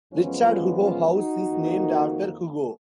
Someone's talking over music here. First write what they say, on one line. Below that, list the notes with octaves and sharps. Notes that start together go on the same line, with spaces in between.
Richard Hugo House is named after Hugo.
F#2 F3 G#3 B3 C#4
C#4 F4
C#4 F4
D#4 F#4
F2 D#3 A#3